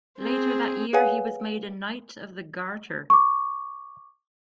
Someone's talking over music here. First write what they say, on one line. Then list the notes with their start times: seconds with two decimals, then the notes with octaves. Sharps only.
Later that year he was made a Knight of the Garter.
0.19 C4 G#4
0.93 G#4 B4 C#5 F5 F#5 G#5
3.10 C#6 D6